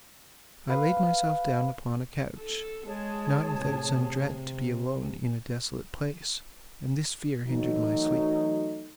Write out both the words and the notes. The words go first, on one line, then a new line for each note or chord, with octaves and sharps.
I laid myself down upon a couch, not without some dread to be alone in a desolate place; and this fear hindered my sleep.
B4 F5
A4
G#3 G#4 C#5 A5
A2 C3
C3
E3 F#3 A3 D#4